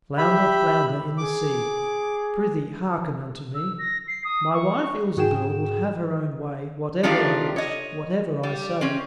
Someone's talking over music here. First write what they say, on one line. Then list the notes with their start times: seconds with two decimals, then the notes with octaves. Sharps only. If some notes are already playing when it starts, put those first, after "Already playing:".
"Flounder, flounder in the sea, Prythee, hearken unto me: My wife, Ilsebil, will have her own way Whatever I wish, whatever I say."
0.18 G4 E5 B5
1.18 G#4 D6
3.55 E6
3.79 A#6
4.08 C7
4.24 D#6
4.53 C#6
5.17 G#2 F#4 G#4 G5 E7
7.03 D#3 F3 A3 D4 F4 G4
7.56 C#5 D#5
8.43 G3
8.81 C4 C#4